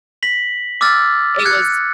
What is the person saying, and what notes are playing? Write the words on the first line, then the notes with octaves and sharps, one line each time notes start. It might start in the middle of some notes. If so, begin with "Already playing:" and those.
it was
A#6 B6 F#7
D6 E6 F6 A6
F#6 G#6 C#7